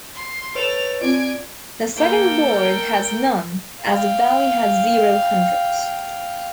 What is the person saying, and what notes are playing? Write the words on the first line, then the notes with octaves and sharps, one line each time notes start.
The second board has none, as the value has zero hundreds.
C6
A4 B4 C#5 D7 F7
C4 F4 D5 G#5 D7
A#3 A4 G5
A#4
F5 G5